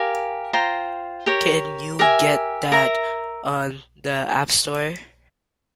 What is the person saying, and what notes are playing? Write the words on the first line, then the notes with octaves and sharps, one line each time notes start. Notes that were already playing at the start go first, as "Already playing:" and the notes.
Can you get that on the App Store?
Already playing: G4 A#4 F5 G#5
F4 C5 G5 A#5
G4 A#4 C#5
G4 A#4 E5 G#5
A#4 E5 A#5